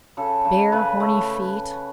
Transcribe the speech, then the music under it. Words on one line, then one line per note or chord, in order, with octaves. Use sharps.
Bare, horny feet.
C#3 A4
C#3
C#3 B4
A3